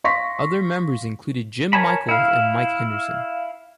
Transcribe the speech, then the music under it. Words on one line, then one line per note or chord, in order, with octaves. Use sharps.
Other members included Jim Michels and Mike Henderson.
F5 C6 C#6 A#6 B6
A#4 C#5 G#5 A5 B5
E4 F5